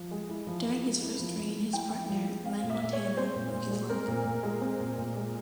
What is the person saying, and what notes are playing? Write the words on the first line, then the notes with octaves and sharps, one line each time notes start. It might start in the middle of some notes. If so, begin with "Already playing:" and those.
During his first reign, his partner, Len Montana broke his leg.
Already playing: F3
G#3
E4
F3
F3
G#3
E4
F3
F3
G#3
E4 G5
F3
F3
G#3
C4 F5
A#2
E5
A#2
C#5
G#3
C4 C5
A#2
A#2
G#3
C4 A#4
A#2
A#2
G#3
C4
A#2
A#2
G#3